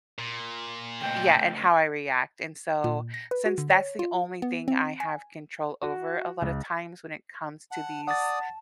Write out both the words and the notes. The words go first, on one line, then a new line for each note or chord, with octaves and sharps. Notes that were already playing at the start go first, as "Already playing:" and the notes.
yeah, and how I react, and so, since that's the only thing I have control over a lotta times when it comes to these
A#2
C#3 A3 D#5 G5
A#2
A#6
B4
F#4
D3
C#5
F4
B3
C4
G#5
F#4
C#2
F#5 A5
D5 F#5 D#6 A6